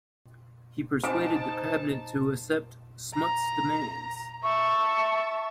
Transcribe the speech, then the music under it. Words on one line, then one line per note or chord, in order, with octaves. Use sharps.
He persuaded the cabinet to accept Smuts' demands.
D#4 C5 G#5 A5
A#5
E5 A5 C#6